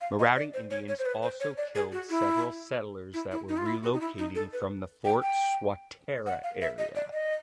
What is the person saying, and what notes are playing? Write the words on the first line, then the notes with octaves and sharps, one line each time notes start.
Marauding Indians also killed several settlers that were relocating from the Fort Swatara area.
F5
D#5
D5
C5
C#5
C#5
C5
B4
C5
C#5
D5
G#4
F#4
E4
E4
E4
D#4
F4
E4
F#4
D#4
E4
D#4
A4
B4
G5
G5
F#5
F5
E5
D#5
D5
D#5